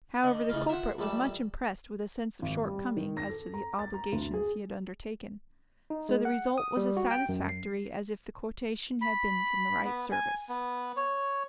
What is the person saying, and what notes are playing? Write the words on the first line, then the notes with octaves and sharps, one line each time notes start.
However, the culprit was much impressed with a sense of shortcoming as to the obligations he had undertaken; so the result was as satisfactory as if the quotation had been from the right service.
D3 D#5
A2 C#3 F4
F4 E5 F#5
A#1 G3 A3 A5
G#1
G3
D#3
A#6
A4
A#5
A6
A#5
D2
G#4
D#4
G#3
F#5
D#6
G3
F#4
G5
F#2
C7
B5
B3
G#5
B3
C#5